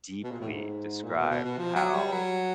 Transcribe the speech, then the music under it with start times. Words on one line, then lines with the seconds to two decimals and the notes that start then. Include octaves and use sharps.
deeply described how,
0.23 B2
0.31 A#2
0.40 A2
0.49 G#2
1.03 A#2
1.17 B2
1.30 B2
1.44 B2
1.58 F3
1.76 F#3
1.94 G3
2.12 F#3